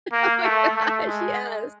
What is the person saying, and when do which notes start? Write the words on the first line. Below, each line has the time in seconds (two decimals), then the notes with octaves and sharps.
Oh my gosh, yes.
0.12 A#3
0.44 A3
0.76 A3
1.07 G#3